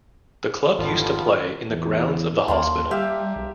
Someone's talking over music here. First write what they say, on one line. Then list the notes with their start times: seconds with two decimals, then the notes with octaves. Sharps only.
The club used to play in the grounds of the hospital.
0.78 G#1 F2 D#3 F3 G3 B3 F4 A4
1.69 E2
2.48 D#2 A#3 A5 C6
2.78 D#2
2.91 G3 G4 E5 F5
3.36 B1